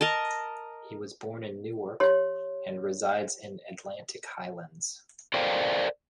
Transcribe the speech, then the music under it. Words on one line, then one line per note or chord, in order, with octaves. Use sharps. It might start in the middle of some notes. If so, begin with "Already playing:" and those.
He was born in Newark and resides in Atlantic Highlands.
A#4 D#5 A5
G4 C#5 C6
A4 A#4 C5 D5 F5 G5